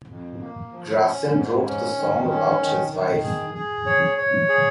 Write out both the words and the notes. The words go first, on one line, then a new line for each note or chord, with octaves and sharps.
Gracin wrote the song about his wife.
F2
A#3
F3
C#4
G#2
C#4
D#3
C#4
D#3
D#3
G#4
G#4
C#5
C#5
G#4